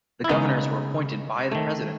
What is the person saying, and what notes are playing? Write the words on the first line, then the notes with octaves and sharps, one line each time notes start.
The governors were appointed by the President.
E4
C#3 G#3 B3 D#4
D#3 A3